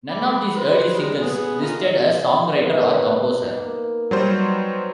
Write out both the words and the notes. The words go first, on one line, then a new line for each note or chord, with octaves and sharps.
None of these early singles listed a songwriter or composer.
B5 D6
B4 C5
G3 G#3 D#4
B3 G#4
F4 A#4 D#5
B3 D#4 A#4
A#3
F#3 G3 B4 C5 D#5